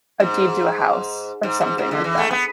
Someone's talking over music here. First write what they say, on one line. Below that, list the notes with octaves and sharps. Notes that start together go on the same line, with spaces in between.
a deed to a house, or something like that,
G#2
G#2
G#2
G#2
D3
E3
A3
B3